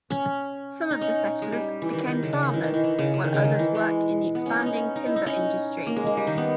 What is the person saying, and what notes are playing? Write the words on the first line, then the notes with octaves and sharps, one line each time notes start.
Some of the settlers became farmers, while others worked in the expanding timber industry.
C#4
D#4
C#4
G#3
G3
E3
D#3
D#3
C#3
C#3
D#3
E3
D#3
E3
D#3
C#3
C#3
D#3
C#3
D#3
E3
G#3
B3
C#4
D#4
C#4
D#4
E4
D#4
C#4
A#3
G#3
G#3
G3
D#3
B3